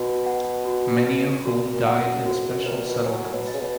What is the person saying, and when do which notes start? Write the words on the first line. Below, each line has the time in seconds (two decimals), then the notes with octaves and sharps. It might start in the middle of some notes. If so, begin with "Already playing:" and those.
Many of whom died in special settlements.
Already playing: B2 F#4
0.26 F#5
0.65 F#4
1.07 B4
1.46 A#2 F#4
1.73 A#2
1.86 F#5
2.00 F#2
2.26 F2 F#4
2.46 F#2
2.66 A#2 B4
2.87 B2
3.06 F#3 G#5
3.33 B2
3.47 D#5
3.54 C#3
3.60 B2